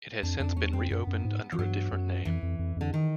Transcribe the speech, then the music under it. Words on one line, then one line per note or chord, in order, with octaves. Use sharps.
It has since been reopened under a different name.
F2 D4
F2 D4
E2 C#4
F2 C4
F#2 B3
F#2
G#2
F3
G2 F#3
F#2
F2 E3
F2
F2
F2 D3
D#3